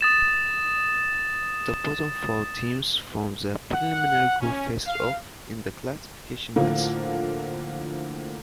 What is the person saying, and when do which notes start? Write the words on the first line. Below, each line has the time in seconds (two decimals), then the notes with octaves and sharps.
The bottom four teams from the preliminary group faced off in the classification matches.
0.01 D#6 A6 E7
3.73 F#5
4.41 C#4
4.86 F5
6.56 A2 D3 F3 A#3